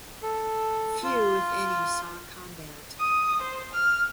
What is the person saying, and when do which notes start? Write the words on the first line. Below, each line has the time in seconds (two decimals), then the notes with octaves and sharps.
Few, if any, saw combat.
0.23 A4
1.03 F4
2.99 D#6
3.41 C5
3.73 F6